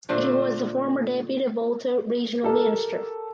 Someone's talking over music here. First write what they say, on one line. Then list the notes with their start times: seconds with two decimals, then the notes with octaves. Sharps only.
He was the former Deputy Volta Regional Minister.
0.09 A#2 D3 A3 C5
2.43 G4 A4 A#4